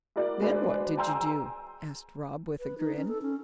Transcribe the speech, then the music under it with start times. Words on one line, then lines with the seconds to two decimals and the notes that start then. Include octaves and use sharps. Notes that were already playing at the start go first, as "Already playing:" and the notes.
"Then what did you do?" asked Rob, with a grin.
0.16 E4 F#4 A#4 D5
0.40 G#3 D4 F#4 B4 C5 D5
0.97 G5 G#5 A#5 C6 E6 G6
2.60 B4
2.78 D#4
2.96 C#4
3.08 A4
3.22 C#4